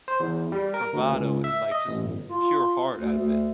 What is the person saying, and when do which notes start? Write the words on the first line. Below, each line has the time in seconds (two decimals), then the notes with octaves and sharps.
bravado, and, like, just pure heart out of it.
0.08 C5
0.20 E2
0.52 G3
0.74 A#4
0.93 D2
1.12 C#2
1.44 E5
1.72 D#5
1.88 A1
2.03 G1
2.30 F4
2.96 D2
3.18 D2